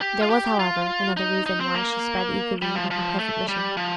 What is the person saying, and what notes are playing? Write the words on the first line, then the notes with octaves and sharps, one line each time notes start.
There was, however, another reason why she sped eagerly on her present mission.
G4
F4
G4
F4
D#4
D#4
C4
A#3
G3
F3
F3
A3
G3
F3